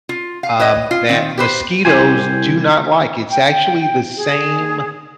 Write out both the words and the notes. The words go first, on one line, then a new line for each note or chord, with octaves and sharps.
um, that mosquitoes do not like. It's actually the same,
F4
F5
B4 C#5 D#5
F4
D#3 C4
G4 B4 C5
C2 D#3 E4 G4 C5 G#5
G5
G#4